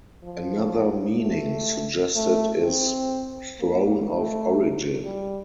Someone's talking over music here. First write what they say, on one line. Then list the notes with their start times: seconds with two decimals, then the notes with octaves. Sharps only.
Another meaning suggested is "Throne of Origin".
0.23 F3
1.20 A3
2.16 A3
2.63 C4
3.60 A#3
4.08 A3
5.04 G3